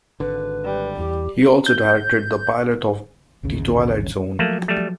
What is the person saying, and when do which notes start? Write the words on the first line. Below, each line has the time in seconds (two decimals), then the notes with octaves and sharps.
He also directed the pilot of "The Twilight Zone".
0.20 G#1 D3 B4
0.65 G3
0.98 E2 G4
1.66 G6
3.43 A1 D#2 C#3
4.39 F3 F#3 A3 A#3
4.68 G3 A3